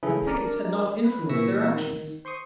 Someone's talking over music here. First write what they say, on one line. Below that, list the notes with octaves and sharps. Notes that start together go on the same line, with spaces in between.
The pickets had not influenced their actions!
C#3 E3 A3 G#4 A4 B4
D4 A#4 D5
B4
A#2 E3 C#6 E6 A#6 B6
D#3
C5 C6 C#6 D#6